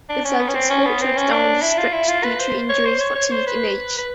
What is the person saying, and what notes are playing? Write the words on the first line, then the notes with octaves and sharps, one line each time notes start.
The Celtics faltered down the stretch due to injuries, fatigue and age.
D4
C#4
B3
C#4
C4
C#4
B3
C4
C#4
D4
E4
F4
E4
F4
B4
C5
C#5
C5
C#5
C#5
C5
B4
B4